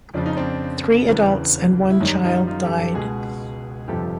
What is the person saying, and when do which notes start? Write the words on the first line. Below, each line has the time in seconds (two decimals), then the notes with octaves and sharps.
Three adults and one child died.
0.14 F2 C#3 F3 D4
0.26 D#4
0.37 C4 D4
1.08 E2 C#3 E3
1.90 E4
2.01 F#2 D#3 G3 C#4 D#4
2.24 D#4 F4
2.47 D#4 F4
2.63 G4 A4
2.78 G4 A4
2.94 C#2 B2 G#3 F#4 G#4
3.88 G1 F2 C3 F3 G4 A4